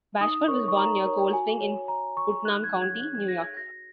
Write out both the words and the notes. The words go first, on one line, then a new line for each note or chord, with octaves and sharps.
Bashford was born near Cold Spring in Putnam County, New York.
D#4 D#6
A#4 C#5 C#6
C#6
D#4 A#5
A#4 C#5
F#4 G#5
C#5
F#4 A#5
C#5 C#6
D#4 F#6
G#6
G#4 C#5
G#6
D#4 F#6
G#6
G#4 C#5 A#6
G#6
F#4 A#6